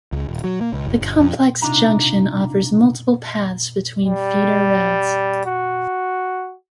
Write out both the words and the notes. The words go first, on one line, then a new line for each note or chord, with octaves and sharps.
The complex junction offers multiple paths between feeder roads.
C#2
D#1
F#3
A#3
C#2
F#1
G1
F2
C3 D4 D#4 F4 A#5
G3
F#4